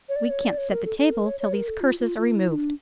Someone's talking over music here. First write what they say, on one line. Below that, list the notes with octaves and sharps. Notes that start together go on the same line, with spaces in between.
We can't set the table till these curses are removed.
C#5
D5
C#5
D5
C#5
A#4
A4
A4
A#4
C#5
C#5
A#4
A4
F4
F4
F4
E4
D4